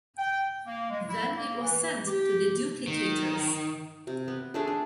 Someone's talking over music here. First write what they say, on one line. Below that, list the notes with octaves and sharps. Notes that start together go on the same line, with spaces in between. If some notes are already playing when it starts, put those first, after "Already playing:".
Then it was sent to the duplicators!
G5
A#3
G#3
E4
A#3
E3
G4
D#3
C3
B3
A3 D4 G#4
D4